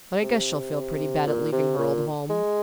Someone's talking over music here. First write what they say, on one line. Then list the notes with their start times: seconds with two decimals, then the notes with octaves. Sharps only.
But I guess she'll feel pretty bad at leaving her old home.
0.23 C3
1.27 A#2
1.52 C3
1.78 A#2
2.30 G#3